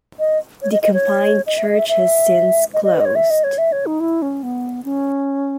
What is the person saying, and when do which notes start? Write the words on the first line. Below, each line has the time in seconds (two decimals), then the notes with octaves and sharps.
The combined church has since closed.
0.19 D#5
0.62 C#5
0.72 D#5
0.82 D#5
0.94 C#5
1.47 D#5
1.57 E5
1.67 D#5
1.78 E5
1.88 E5
2.74 D#5
2.84 D#5
2.95 B4
3.00 D#5
3.05 C#5
3.15 E5
3.30 D#5
3.44 C#5
3.58 E5
3.72 C#5
3.86 D#4
4.00 E4
4.22 C#4
4.43 B3
4.85 C#4